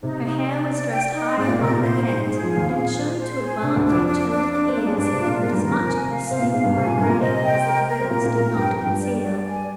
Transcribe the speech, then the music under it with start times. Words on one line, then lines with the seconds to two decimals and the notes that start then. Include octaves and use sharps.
Her hair was dressed high upon her head, and showed to advantage her little ears and as much of her slim white neck as the frills did not conceal.
0.03 C3 D#4
0.25 D#4
0.47 D5
0.70 D5
0.92 G5
1.14 D#4
1.37 G#2 G#3 D5
1.48 A#2 A#3
1.59 C3 C4 A#4
1.71 A#2 A#3
1.82 A#2 A#3 C5
1.97 A#2 A#3
2.05 C5
2.12 G#2 G#3
2.26 G#2 G#3 G#4
2.42 F2 F3
2.49 F5
2.57 D#2 D#3
2.71 A#2 G#4
2.94 C5
3.17 C5
3.39 G#4
3.61 C3 D4
3.76 D2 D3
3.84 D4
3.91 F2 F3
4.06 D4
4.29 D4
4.51 D4
4.68 C4
4.74 A#3 D4
4.86 G#3
4.96 G2 G3 D4
5.11 C3 C4
5.19 F4
5.26 A#2 A#3
5.37 G3
5.41 G#2 G#3 A#4
5.52 G2 G3
5.63 D#2 D#3 A#4
5.74 F2 F3
5.85 C3 C4 G#5
6.08 F5
6.30 C3 C4 F5
6.42 A#2 A#3
6.53 G#2 G#3 F5
6.64 G2 G3
6.76 C3 G#5
6.87 A#2
6.98 G2 G3 A#4
7.09 A#2 A#3
7.20 C3 C4 D#5
7.43 G5
7.66 A#4
7.88 A#4
7.99 C4
8.10 A#2 A#3 A#4
8.25 A#2 A#3
8.33 A#4
8.40 A#2 A#3
8.55 G2 G3 G5
8.70 F2 F3
8.78 G5
8.86 G2 G3
9.01 D5
9.23 D5
9.45 G#5